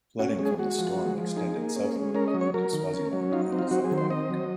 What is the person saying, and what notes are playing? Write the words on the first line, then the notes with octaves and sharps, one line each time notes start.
Flooding from the storm extended southward into Swaziland and South Africa.
C#4 F#4
G#3
G#4
G#3 F#4
F3
G#3
F3
D#4 G#4
A#3
C#4
G#3
C#4 A#4
D#5
F#3
C#5
F#3 A#4
D#3
C#4
F#3
D#4 F4
C4
F4
F#3 F#4
G#4
D#3
C5
C4 D#5
F#3